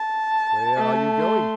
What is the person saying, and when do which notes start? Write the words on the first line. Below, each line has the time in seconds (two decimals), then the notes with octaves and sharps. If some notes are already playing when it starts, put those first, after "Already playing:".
Where are you going?
Already playing: A5
0.77 A3
1.19 C6